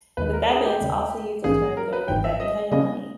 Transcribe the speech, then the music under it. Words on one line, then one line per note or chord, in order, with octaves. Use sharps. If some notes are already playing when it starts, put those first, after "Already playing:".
The Thebans also used the term during the Theban hegemony.
D#2 D#3 G#3 B4
A#4
G#4
G4
D#2 C#3 G3
A#1 G#2 E3 A#3 C#4 G#4
A#4
B4
G#1 G#2 E3 G5
E5
D#5
C#3 G3 A#3 C#4 D#5